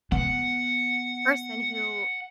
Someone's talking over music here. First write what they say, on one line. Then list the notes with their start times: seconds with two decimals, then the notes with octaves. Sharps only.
person who
0.12 B3 F#5